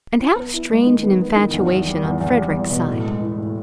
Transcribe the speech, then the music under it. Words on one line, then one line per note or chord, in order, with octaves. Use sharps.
And how strange an infatuation on Frederick's side!
E4
B3
E4
G#3
D#3
B3
B3
D#3
E2
E2
G3
E2
E2
G3
E2
B2
A2
G#3
E3
A2